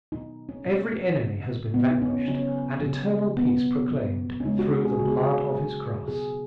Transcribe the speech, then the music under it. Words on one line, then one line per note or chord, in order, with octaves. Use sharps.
Every enemy has been vanquished, and eternal peace proclaimed, through the blood of his cross.
B2 F#3 D#4
C#4
B2 F#3
C#3 F#3
C#3 F#3 B3
D#4
C#4
C#3 F#3 C#4
C#3 F#3
B2 F#3 B3
B2 F#3
C#4
C#3 G#3 D#4
F#4
G#4
C#3 G#3 F#4
G#4
F#4
B2 F#3
B2 F#3 G#4